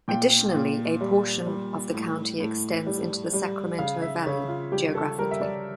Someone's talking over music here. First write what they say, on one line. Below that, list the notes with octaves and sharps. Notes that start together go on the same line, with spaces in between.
Additionally, a portion of the county extends into the Sacramento Valley, geographically.
A#2 G5
A#2
G3
G3
A2
A2
G3
G3
C#3 F5
E5
C#3 C#5
F4
G3 G4
A4
G3 A#4
E5
D5